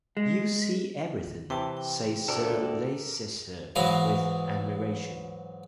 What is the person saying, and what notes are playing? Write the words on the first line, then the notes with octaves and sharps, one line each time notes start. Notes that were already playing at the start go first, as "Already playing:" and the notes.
"You see everything," says Sir Leicester with admiration.
G#3
C3 E3 G5 A5
G5
D2 A4 A#4 D5
G#2 E3 F#3 D#5 F5